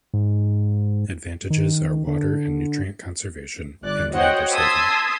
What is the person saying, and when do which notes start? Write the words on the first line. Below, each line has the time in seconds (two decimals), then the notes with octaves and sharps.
Advantages are water and nutrient conservation, and labor-saving.
0.14 G#2
1.50 D#3
2.07 D3
3.83 G1 D5 F#6
4.13 F#4 C5 C#5 D#5 F#5 G5
4.53 A5 C6 D#6 E6 G#6 B6